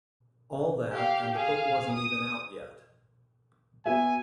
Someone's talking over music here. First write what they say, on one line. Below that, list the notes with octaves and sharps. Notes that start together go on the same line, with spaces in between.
All that, and the book wasn't even out yet.
G4 F5
G#4 F5
D#6
B3 F#4 E5 G#5